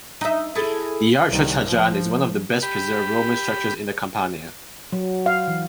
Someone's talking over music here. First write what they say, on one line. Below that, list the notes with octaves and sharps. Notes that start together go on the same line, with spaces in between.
The Arch of Trajan is one of the best-preserved Roman structures in the Campania.
D#4 E5
E4 G#4 A4
C2 D#3
F3
G4 B5
F#3
F5
E3